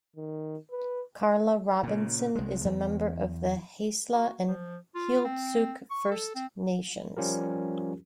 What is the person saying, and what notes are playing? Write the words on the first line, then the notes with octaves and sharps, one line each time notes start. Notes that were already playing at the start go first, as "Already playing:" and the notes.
Carla Robinson is a member of the Haisla and Heiltsuk First Nations.
D#3
B4
A#2 C#3
C2 G#3
E2
F#4
F3
F4
C4
C#6
A4
C4
F3 G3 C#4 F4 G4 A#4